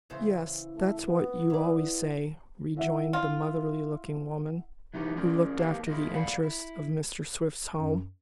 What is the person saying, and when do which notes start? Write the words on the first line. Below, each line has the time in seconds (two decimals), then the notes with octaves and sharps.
"Yes; that's what you always say," rejoined the motherly-looking woman, who looked after the interests of Mr. Swift's home.
0.10 C#3 E3 C5
0.74 A3
1.06 B3
1.50 E4 D5
2.75 E4 E5 F#5
3.13 F4
4.94 E3 B3 D#4 G4 B4
5.16 C#4 F4 G#4 A#4 D5
5.59 A#3 G4 A#4 B4 F5 A5
5.87 E4 F4 G#4 A#4 D#5
6.13 D5 F5 F#5 B5
6.43 E4
7.70 F#2